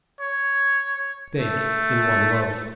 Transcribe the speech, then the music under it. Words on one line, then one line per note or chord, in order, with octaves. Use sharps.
Bake in one loaf.
C#5
A3